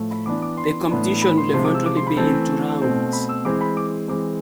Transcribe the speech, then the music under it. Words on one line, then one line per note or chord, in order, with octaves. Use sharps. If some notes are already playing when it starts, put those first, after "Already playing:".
The competition would eventually be in two rounds.
Already playing: A2 F3 A3
B5
E3 B3 D4 D6
D6
C6
A2 E3 B3 D4
B5
C6
C3 F3 G#3 C6
D6
E6
D6
C6
B5
E3 A3 C4 A5
B2 A3 C4
B5
E6
E3 G#3 C4 D6
B5
D6
E3 G#3 C4 D6